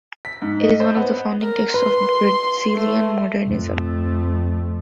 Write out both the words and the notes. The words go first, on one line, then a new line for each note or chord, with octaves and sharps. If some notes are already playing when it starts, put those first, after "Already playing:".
It is one of the founding texts of Brazilian modernism.
B6
G#2
D#5
C5
B3
A#4
B4 C6
A3
F2 A3